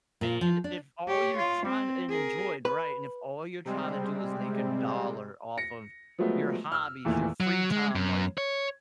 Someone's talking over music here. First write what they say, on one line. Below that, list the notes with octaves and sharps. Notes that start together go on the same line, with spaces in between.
And if all you're trying and enjoyed, right, and if all you're trying to do is make a dollar off of your hobbies, your free time like,
A#2
F3
D4
G4 C#5
F4
C4
G#4 A#4
B4
C3 G3 G#3 C4
A#6 C#7
F3 F#3 G#3 A3 B3
E6 F6
E2 A#2 D#3 E3 A3
F#3
G#3
F#2
C#5